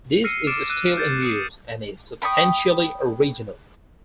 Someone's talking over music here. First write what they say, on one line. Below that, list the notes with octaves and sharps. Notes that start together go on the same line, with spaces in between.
This is still in use and is substantially original.
E6 F6 A#6 C7 C#7 D#7
D6 F6 A6 C#7 D7 E7
E6 F#6 D#7
G6 A6 D7
D#6 F#6 C#7
G5 B5 C#6 D#6